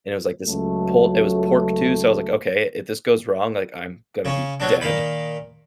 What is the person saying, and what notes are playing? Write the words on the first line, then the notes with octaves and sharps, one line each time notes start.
and it was like this pull it was pork too, so I was like, "Okay, if this goes wrong, like, I'm gonna be dead,
C#2 F#3 A3
C#3 C#4
B2 F#3 D4
A#2 D#3 F5 B5